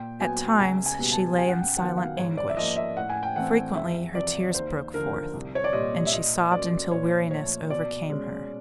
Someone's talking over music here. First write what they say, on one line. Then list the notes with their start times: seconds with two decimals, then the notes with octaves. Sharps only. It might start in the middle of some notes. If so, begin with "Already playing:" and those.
At times she lay in silent anguish; frequently her tears broke forth, and she sobbed until weariness overcame her.
Already playing: A#2 G5
0.20 F#3 B3 G#5
0.59 C#2 G#5
0.86 G#5
0.99 B2 G3 B3
1.12 A5
1.38 F#2 G#5
1.48 F#5
1.59 G5
1.78 D#3 F#3 B3 F#5
1.98 F5
2.17 G#2 C#5
2.37 D5
2.49 E5
2.57 F3 A#3 D#5
2.76 E5
2.97 A2 F#5
3.10 G#5
3.23 G5
3.36 E3 A3 C4 F#5
3.75 E2 E5
4.15 C3 F3 D5
4.54 D#2 C5
4.94 D3 F3 A#4
5.33 C2
5.55 C#5
5.64 D5
5.73 A#2 G3 D#5
6.06 E5
6.12 A#2 D#5
6.52 F#3 A#3 C#4 D5
6.91 A#2 C#5
7.30 F3 A3 C#5
7.70 B2 D5
8.10 G#3 C#4